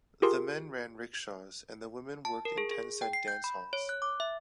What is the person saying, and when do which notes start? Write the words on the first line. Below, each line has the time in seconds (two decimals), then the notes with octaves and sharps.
The men ran rickshaws and the women worked in ten-cent dance halls.
0.22 F4 G4 G#4 A#4 C6
2.25 A5
2.45 A#4
2.58 G#4
2.71 G#4
3.02 G5
3.13 C7
3.28 G6
3.44 B5
3.73 C#5
3.89 F#6
4.02 D6
4.20 E5